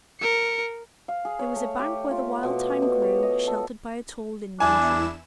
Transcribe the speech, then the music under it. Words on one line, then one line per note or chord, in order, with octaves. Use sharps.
There was a bank where the wild thyme grew, sheltered by a tall linden-tree.
A#4 C#7
F5
G#4
C#5
A3
G4
F4
B2
B2
C#5
D#5
A4
E2 D4 E4 G#5 E7